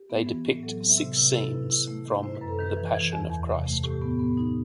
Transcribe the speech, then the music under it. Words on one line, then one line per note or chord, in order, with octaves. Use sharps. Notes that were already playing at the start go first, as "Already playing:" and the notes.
They depict six scenes from the "Passion of Christ".
Already playing: G4
B3
E3
A2
F#3 A4
C4
E5
C3
C3 B4
E4 A4
B4
C3
E4
A3
D#3
E4 C5
B4
F#2
A4
D#3 B4
E3
E3
E2
E2
C3
A3
A2 G4
B3
B3
D#4